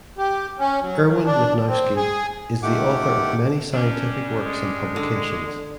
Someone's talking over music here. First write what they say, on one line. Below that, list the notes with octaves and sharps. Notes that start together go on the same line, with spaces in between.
Irwin Lipnowski is the author of many scientific works and publications.
G4
C#4
F#3
F#3
D4
C4
G#4
D#3 A3 G4 F#5 D6
C#4 D4 G4
G#3
D3